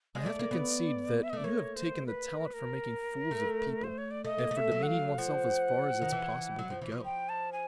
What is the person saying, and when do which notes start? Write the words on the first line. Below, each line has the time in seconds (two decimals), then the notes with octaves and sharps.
I have to concede that you have taken the talent for making fools of people and for demeaning oneself as far as it's possible to go.
0.15 G#3
0.20 D5
0.26 A3
0.39 A#3
0.51 B3
1.23 E5
1.30 D#5
1.33 A3 D5
1.44 A#3 C#5
1.76 C5
2.07 B4
2.38 A#4
2.46 B4
2.54 A#4
3.31 A3
3.84 C5
3.98 C#5
4.11 D5
4.25 A3 D#5
4.38 A#3
4.51 A3
4.57 E5
4.71 F#3
4.83 F#5
4.87 F5
5.18 F3 F#5
6.02 D#3
6.12 E3
6.59 F#3
6.70 F3
6.81 E3
6.92 F3
7.05 G5
7.29 A5
7.53 G#5